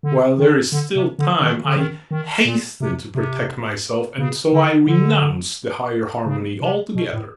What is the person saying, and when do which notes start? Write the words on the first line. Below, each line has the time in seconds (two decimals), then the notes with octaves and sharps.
While there is still time, I hasten to protect myself, and so I renounce the higher harmony altogether.
0.03 D3
0.38 D#3
0.72 D3
0.96 C3
1.19 D3
1.42 D#3
1.65 D3
1.76 D#3
2.11 D#3
2.45 A#2
2.80 C3
3.15 C3
4.18 C#3
4.52 D3
4.87 D3
6.26 C#3
6.61 C3
6.95 B2
7.13 A2